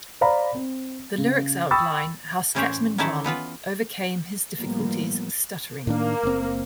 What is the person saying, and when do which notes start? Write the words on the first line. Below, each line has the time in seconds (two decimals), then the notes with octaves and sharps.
The lyrics outline how Scatman John overcame his difficulties with stuttering.
0.21 C5 D5 F5 A#5 B5
0.55 C4
1.18 C#3
1.71 G5 B5 C#6 D#6 E6 A6
2.55 A2 E3 C#4 G4 C5 C#5
2.98 D#3 C#4 D#4 E4 A4
3.24 E3 B3 F4 B4
4.56 A2 F3 G3 A#3 B3
5.87 A2 D#3 A#3 D4
6.23 F#1 C4